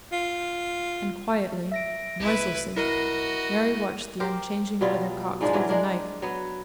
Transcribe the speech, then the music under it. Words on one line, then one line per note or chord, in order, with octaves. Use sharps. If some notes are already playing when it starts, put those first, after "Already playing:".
And quietly, noiselessly, Mary watched the unchanging weather-cock through the night.
F4
E5 A#6 D7
C2 E4 B4
E4 F#4 A#4 D#5
G4 A#4 C5
B2 F#3 G3 F4
G#2 F3 G#3 D4
B2 E3 F#3
G#3 D4 A#4
F#3 B3